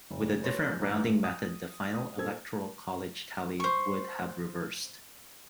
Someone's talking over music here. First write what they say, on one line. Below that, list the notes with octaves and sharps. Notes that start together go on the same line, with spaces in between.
With a different rounding method the final electoral college tally would have reversed.
F#1
B4 C#5 C6 A6 A#6
A1 G2 A#5 D6
D#6
D#6
A#2 A#3 A4 C5 E6 G#6
C5 C#6